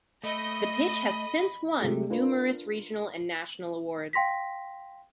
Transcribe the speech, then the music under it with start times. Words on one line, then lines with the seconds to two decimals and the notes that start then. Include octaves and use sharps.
The pitch has since won numerous regional and national awards.
0.24 A3 D#5 B5
1.81 C3 G#3 A3
2.10 D4 F4 A#4 B4
4.13 F5 G5 C6 A#6 B6